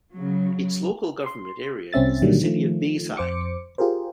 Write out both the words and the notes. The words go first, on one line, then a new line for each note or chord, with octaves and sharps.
Its local government area is the City of Bayside.
C#3 F#3
C6
C2 C4 C#4 E5 A6
A#2 D3 D#3 F#3 G3
D#3 F3 A3
F2 C5 D6 C#7
F4 G4 G#4 A#4 C5